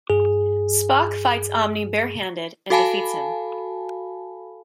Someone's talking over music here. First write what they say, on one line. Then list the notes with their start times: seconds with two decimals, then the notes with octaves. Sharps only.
Spock fights Omne bare-handed and defeats him.
0.10 G2 G#4
2.70 F#4 A4 F5 G#5 A5 B5